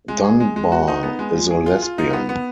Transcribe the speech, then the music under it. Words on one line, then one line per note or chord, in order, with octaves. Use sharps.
Dunbar is a lesbian.
G#3
G#4
G#3
G#3
F#4
D#4
B3
G#3
F3
G#4
F4
F4
D#4
B3
B3